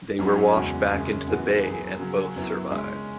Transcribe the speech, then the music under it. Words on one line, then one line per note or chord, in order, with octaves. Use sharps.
They were washed back into the bay and both survived.
F#2 F#3 C#4 F#4
E2 C#3 G#3 C#4 F#4
F#2 C#3 G#3 C#4 G#4
F#2 E3 B3 F#4
F#2 F#3 B3 G#4
C#3 F#3 C#4 G#4
F#2 F#3 B3 E4
C#3 G#3 C#4